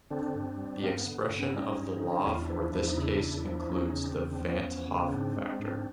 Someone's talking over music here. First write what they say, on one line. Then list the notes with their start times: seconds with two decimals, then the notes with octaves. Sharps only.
The expression of the law for this case includes the van 't Hoff factor.
0.10 D3 C4 D4
0.35 G2
0.58 G3
0.82 G2 A#3 C4
1.00 B3
1.06 D3
1.30 G2
1.36 B3 C#4
1.47 E4
1.54 G3 C#4 D#4
1.78 G2
2.02 D3
2.25 E2 E4
2.34 F4
2.42 D4 E4
2.50 F3
2.74 E2
2.89 D#4
2.97 C#3 D4 E4
3.21 E2
3.45 F3
3.69 E2 C#4 D#4
3.92 C#3
4.05 C4 D4
4.17 E2
4.33 D4
4.40 F3 B3 C#4
4.64 E2
4.88 C#3
5.12 G#2 C4 D4
5.36 G#3
5.60 G#2